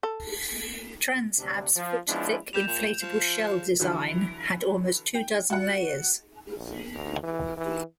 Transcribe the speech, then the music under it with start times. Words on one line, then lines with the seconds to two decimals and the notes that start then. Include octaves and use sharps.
TransHab's foot-thick inflatable shell design had almost two dozen layers.
0.03 A4
1.39 D2 C3 D4
1.75 F3
2.08 F3 G#3 B3 C#4 D4 E4
2.53 G3 G6 E7 F7
2.67 A#2
3.02 F3
3.80 D3 E3 F#3
5.15 G5
5.50 F#4 F#5
6.56 A#1
6.94 D2
7.23 E3
7.57 E3